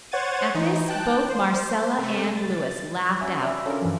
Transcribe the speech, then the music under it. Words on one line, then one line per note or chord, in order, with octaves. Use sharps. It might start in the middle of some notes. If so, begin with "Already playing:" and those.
At this both Marcella and Louis laughed out.
C5 C#5 F#5 G#6 A6 D#7
E3 D#4
G5 A5 F#6
C5
C3 A3
A6
C#4 F#4 E5 G#5
D5 E5 B5
C#4 D4 F4 A4 A#4
G2 E3 F3